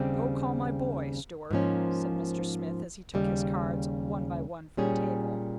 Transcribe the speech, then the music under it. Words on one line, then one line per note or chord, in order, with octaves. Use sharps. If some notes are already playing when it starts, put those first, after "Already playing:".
"Go call my boy, steward," said Mr. Smith, as he took his cards one by one from the table.
Already playing: D#2 C#3 G3 C4
G#2 F3 A#3 C#4
D#2 C#3 G3
A#2 G3 C#4 G#4